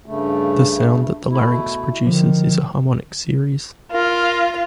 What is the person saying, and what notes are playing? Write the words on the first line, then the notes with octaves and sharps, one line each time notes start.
The sound that the larynx produces is a harmonic series.
G2 C#3 A3
B2 A3 E4
D3 D#3 F3
F4 A#4